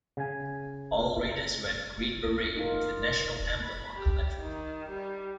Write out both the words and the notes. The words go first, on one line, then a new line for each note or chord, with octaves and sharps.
All Raiders wear the green beret with the national emblem on the left.
C#3 G#5
D#4 F4 A#4
B5
G4
D#3
G3